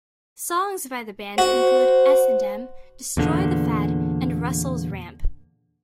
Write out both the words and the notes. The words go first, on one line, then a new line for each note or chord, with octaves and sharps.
Songs by the band include "S and M", "Destroy The Fad" and "Russell's Ramp".
F#4 C5
E2 A#2 D3